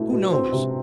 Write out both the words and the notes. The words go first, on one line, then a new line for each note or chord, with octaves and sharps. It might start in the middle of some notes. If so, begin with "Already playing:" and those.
Who knows!
Already playing: B2 A3 E4
B2
C4
C3